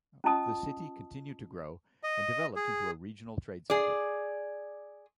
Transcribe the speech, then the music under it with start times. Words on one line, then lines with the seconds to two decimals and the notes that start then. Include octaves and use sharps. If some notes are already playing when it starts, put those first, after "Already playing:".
The city continued to grow and developed into a regional trade centre.
0.24 C#4 F4 D#5 A5 D#6
2.03 D#5
2.56 G#4
3.70 G#4 D5